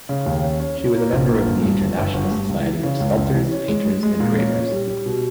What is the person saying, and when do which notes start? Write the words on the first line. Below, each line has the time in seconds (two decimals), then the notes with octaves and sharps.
She was a member of the International Society of Sculptors, Painters and Gravers.
0.09 C#3
0.26 D#2
0.44 C#4
0.60 C#4
0.77 C#4
0.95 A#3
1.12 A#1
1.28 A#3
1.47 G1
1.63 G2
1.81 G1
1.98 G1
2.14 G1
2.32 G2
2.49 C#2
2.66 E3
2.83 C#3
3.00 C#2
3.17 C#2
3.34 E3
3.51 C#4
3.68 G#3
3.85 G#3
4.03 G#3
4.20 A#2
4.37 C#4
4.54 C#4
4.71 G3
4.88 G3
5.06 B2